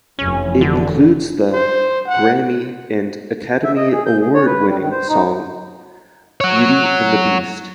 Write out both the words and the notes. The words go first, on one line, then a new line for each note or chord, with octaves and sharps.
It includes the Grammy and Academy Award-winning song Beauty and the Beast.
F1 E3 C#4
D3
C5
F#5
E5
D#5
G#4
G6
G#4
C#5
B4
G3
D#3
C5
D#4
C#5 F#5